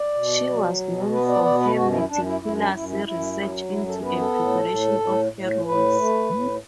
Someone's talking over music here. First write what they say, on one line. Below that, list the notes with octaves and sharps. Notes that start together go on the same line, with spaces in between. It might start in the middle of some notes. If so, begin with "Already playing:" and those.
She was known for her meticulous research into and preparation of her roles.
Already playing: D5
B2
F#3
B2
B3 B4
D5
B2 D5
B4
F#2 F#4
E4
F#2 D4
E4
F#2 E4
D4
F#2 E4
E4
F#2 E4
F#3
F#2 E4
A4
B3 B4
A4
A2
A2
A2
A2
A2 B4
A3
A2